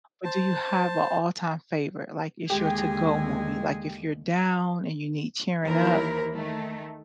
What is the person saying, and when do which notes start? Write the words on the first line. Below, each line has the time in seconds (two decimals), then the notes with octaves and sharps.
but do you have a all-time favorite, like, it's your to-go movie, like, if you're down and you need cheering up
0.25 C5 A5
2.50 D#2 D3 G#3 G4 G#4
5.65 D#2 E3 E4 A#4 C5
6.34 D#3 A3